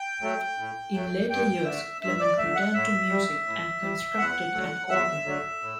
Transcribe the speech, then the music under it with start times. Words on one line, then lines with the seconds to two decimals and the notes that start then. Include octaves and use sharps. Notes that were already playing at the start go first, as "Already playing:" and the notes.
In later years, Clement returned to music and constructed an organ.
Already playing: G5
0.22 F#3 A3
0.58 A2
0.94 F#3 A3
1.30 G2 G5
1.65 D3 A3 E5
2.02 G2 E5
2.20 D5
2.37 D3 A3 E5
2.55 F#5
2.74 A2 E5
3.10 G3
3.46 A2
3.82 G3
4.18 E2 F#5
4.54 D3 F#3 A3
4.90 E2 E5
5.25 D3 F#3 A3
5.62 A2